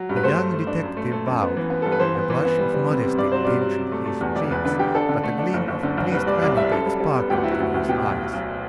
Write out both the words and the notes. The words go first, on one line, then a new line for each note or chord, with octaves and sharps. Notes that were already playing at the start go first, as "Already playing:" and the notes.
The young detective bowed; a blush of modesty tinged his cheeks, but a gleam of pleased vanity sparkled in his eyes.
Already playing: F#3
G2
B4
A3 C5
A3
A3
D4
F#2
A3
A3
F#2
B3
E3
B3
G2 A4
B4
E3 C5
B3
E3
B3
G3
G3
C3
C3
G2 D5
F#3 C5
G2 D5
F#3
C3
A3
A3
E2
E1 D5
E2 B4
D3 B4
D3 G4
D4 A4
D3
A3
D4
F#1
F#1
D3
F#1
C2 B4
G3 D5
C2 D5
G3 E5
F#2 A4
G3
G3
B3
D2 G4
F#4
F#3 E4
F#4
D2
D2
B2 G4
B1
B1
B1